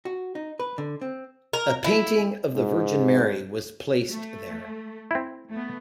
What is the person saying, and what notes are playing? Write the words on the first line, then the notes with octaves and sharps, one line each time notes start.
A painting of the Virgin Mary was placed there.
F#4
D#4
B4
D3
C4
A#4
E4
G#2
A3
C4 E4
A3 B3